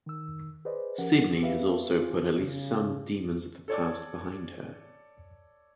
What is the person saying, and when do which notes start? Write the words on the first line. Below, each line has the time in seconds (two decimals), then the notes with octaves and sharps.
Sydney has also put at least some demons of the past behind her.
0.06 D#3 E6
0.65 G#4 B4 C5 D5 D#5
0.98 D#2 F3 C#4 G4 A#4 F#5
1.40 B3 C4 G4 B4 E5 F5
1.97 C4 F4 G#4
2.38 C#3
3.68 A4 C#5 D5